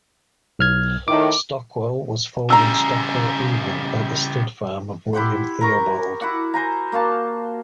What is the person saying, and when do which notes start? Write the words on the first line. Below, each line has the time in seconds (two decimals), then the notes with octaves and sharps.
Stockwell was foaled in Stockwell, England, at the stud farm of William Theobald.
0.59 B1 F6 G#6
1.08 A2 D#3 D6
2.50 C#3 G3 A#5 E6
5.13 E4 G4 F#5 C6
5.61 A#4 A#5 C#6
6.21 E4 F#4 F#5 D6
6.54 C5 G#5 A#5
6.92 A#3 F#4 F5 A5